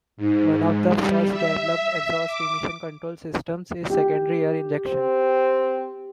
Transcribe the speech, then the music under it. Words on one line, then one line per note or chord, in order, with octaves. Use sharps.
One of the first-developed exhaust emission control systems is secondary air injection.
G#2
G3
E5
D6
G4
C4